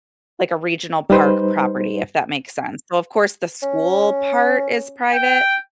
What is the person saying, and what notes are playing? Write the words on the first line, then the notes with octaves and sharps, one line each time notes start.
like, a regional park property, if that makes sense. So, of course, the school part is private,
G3 D#4 B4 C5
C#4
G5